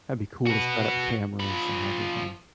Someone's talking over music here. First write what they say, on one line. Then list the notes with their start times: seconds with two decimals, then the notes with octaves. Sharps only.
That'd be cool to set up cameras and everything.
0.47 F#4 B4
1.40 F3 B5